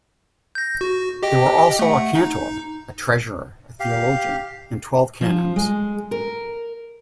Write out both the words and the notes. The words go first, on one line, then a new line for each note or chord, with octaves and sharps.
There were also a cantor, a treasurer, a theologian and twelve canons.
G6 A#6
F#4
G4 D#5 G5
A3 F#5
D#4
G4 F5
F3
G#3
A#4